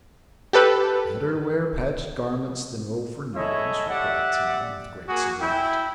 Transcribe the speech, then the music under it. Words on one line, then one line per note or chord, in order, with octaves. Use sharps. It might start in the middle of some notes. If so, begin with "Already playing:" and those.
"Better wear patched garments than owe for new ones," replied Tom, with great sobriety.
G4 A4 B4
G#3 E4 A4 C#5 D#5 E5
G4 D5 E5 F#5
A#3 F#4 G#4
E4 G5